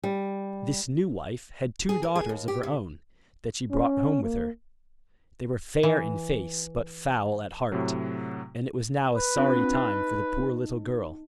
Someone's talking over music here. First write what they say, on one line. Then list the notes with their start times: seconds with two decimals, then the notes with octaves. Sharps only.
This new wife had two daughters of her own, that she brought home with her; they were fair in face but foul at heart, and it was now a sorry time for the poor little girl.
0.04 G3
1.89 G#4
2.03 A#4
2.16 G#4
2.29 D#2
2.48 G4
2.63 C3
3.71 C#4
4.23 A#3
5.83 E3
7.72 A2 C3 F#3
9.16 B4
9.36 C4 D4 F4
9.73 D#4